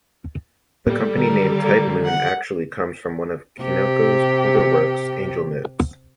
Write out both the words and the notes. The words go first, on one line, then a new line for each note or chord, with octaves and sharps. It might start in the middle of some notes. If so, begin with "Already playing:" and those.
The company name Type-Moon actually comes from one of Kinoko's older works, "Angel Notes".
A2 G3 A#3 B3 A4
D3 D#3 A#4
A#3
F#5
C3 G4